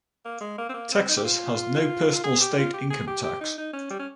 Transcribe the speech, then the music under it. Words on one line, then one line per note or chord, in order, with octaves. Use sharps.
Texas has no personal state income tax.
A#3
G#3
A#3
C4
A#3
C4
D#4
G4
F4
G#4
G4
F4
G4
G#4
G4
G4
D#4
D#4
C#4
G3
C#4